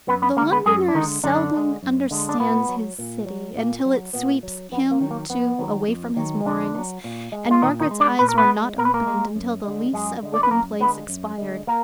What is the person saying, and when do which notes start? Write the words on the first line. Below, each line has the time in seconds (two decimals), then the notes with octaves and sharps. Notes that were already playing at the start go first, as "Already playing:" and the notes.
The Londoner seldom understands his city until it sweeps him, too, away from his moorings, and Margaret's eyes were not opened until the lease of Wickham Place expired.
0.08 F#2 B3 B4
0.22 B3 B4
0.37 G#3 A#3 A#4
0.41 D3
0.52 B3 B4
0.66 F#2 G#3 G#4
0.88 D4
0.95 D3 D#3 G#3 D#4
1.24 F#2 D3 D4
1.54 D3 G#3
1.83 F#2
2.11 D3 G#3
2.29 D4
2.39 A#2 B3
2.69 F#3
2.99 A#2
3.26 F#3
3.56 A#2 A#3
3.85 F#3
4.13 A#2 B3
4.43 F#3
4.72 F2 B3
4.91 A#3
5.00 D#3 F#3
5.11 A#3
5.29 F2 B3
5.59 D#3 F#3
5.87 F2
6.16 D#3 F#3
6.45 F2 D3 D4
6.75 D#3
6.78 F#3
7.04 A#2
7.32 G#3
7.51 F4
7.62 A#2 D#3 D#4
7.80 D#3 D#4
7.91 G#3
8.00 D4 D5
8.19 A#2 B4
8.29 A#4
8.38 B3 B4
8.48 G#3
8.78 A#2 A#4
8.85 B4
8.94 A#3 A#4
9.07 G#3
9.36 F#2
9.64 D3 G#3
9.93 F#2 G#3 G#4
10.23 D3 G#3
10.34 D5
10.43 B4
10.51 F#2 A#3 A#4
10.80 D3 G#3 B3 B4
11.09 F#2
11.38 D3 G#3
11.67 A#3 A#4